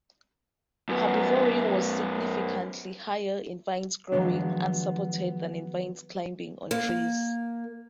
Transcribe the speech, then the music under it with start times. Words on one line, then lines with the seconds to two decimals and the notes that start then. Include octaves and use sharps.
Herbivory was significantly higher in vines growing unsupported than in vines climbing on trees.
0.89 F#2 B3
4.12 D#3 F3 F#3 G#3 B3 D4
6.71 A#3